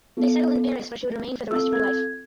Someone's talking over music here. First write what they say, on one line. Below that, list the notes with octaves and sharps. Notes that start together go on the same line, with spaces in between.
They settled in Paris where she would remain for the rest of her life.
B3 F4 A4
C4 F4 A4 E6
G#6